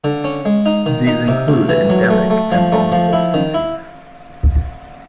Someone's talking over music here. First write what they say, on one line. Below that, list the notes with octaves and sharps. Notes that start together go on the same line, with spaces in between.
These include endemic and vulnerable species.
D3
C#4
G#3
D#4
D#3
D#4
C3
D2
E3
F#3
A3
A3
F3
A3
F3
E4
D#3
E4